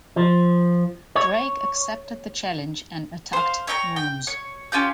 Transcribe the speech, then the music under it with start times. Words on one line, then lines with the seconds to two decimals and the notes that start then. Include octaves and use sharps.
Drake accepted the challenge and attacked Moose.
0.16 F3
1.15 C#5
3.33 C5 F5
3.67 C#5 E5 G5 A#5
3.96 G5
4.27 C#5
4.72 C#4 F4 G4 G6